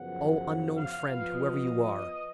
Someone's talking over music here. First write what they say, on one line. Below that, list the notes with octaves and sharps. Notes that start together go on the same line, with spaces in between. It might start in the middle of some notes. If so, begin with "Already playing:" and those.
Oh, unknown friend! whoever you are.
Already playing: F#2 C#3 F3 B3 F#5
F5
F3 B3 F4 B4
D#5